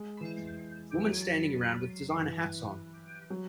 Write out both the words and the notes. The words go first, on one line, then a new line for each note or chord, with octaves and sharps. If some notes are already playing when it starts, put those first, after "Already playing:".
Woman standing around with designer hats on.
Already playing: G#3
E3
E3
F#3
E3
F#3